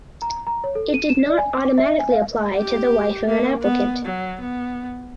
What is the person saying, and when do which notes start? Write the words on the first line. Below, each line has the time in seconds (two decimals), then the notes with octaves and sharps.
It did not automatically apply to the wife of an applicant.
0.22 A#5
0.47 A#5
0.64 C#5
0.75 A4
0.94 D#7
1.09 E7
1.26 D5
1.38 G#5
1.55 D6
1.78 E5
1.99 G#5
2.12 F5
2.58 G4
3.28 A#3
3.62 B3
4.05 F#3
4.40 B3